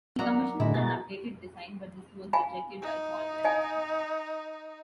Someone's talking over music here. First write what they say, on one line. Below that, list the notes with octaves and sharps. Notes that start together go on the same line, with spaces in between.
He commissioned an updated design, but this was rejected by Coleman.
F#3 A#3 D5 E5 F#5 A#5
A2 D3 G#3 E4 F#4
B2 A#5 A6
F5 G#5 B5
D#4
D#5 F5 G#5